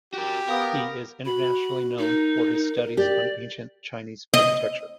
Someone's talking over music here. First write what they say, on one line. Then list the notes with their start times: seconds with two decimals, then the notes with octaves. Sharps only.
He is internationally known for his studies on ancient Chinese architecture.
0.14 F#4 G4 A#4
0.49 B3 A#4 F5 D#6
1.25 F#4 B5
1.98 D#4 A#4
2.97 G4 D5
4.34 D#5